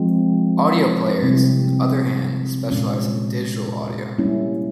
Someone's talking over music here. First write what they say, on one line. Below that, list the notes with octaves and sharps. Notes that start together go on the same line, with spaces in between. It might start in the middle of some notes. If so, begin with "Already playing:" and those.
"Audio players", on the other hand, specialize in digital audio.
Already playing: F3 G#3 C4
C3 G3 C4 E4
A#2 G#3 C#4 F4
G3 A#3 C#4 E4